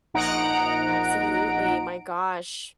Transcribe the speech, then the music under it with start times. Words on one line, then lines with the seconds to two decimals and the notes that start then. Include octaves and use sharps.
Absolutely, my gosh.
0.14 A#1 D#4 F#5 A#5 D7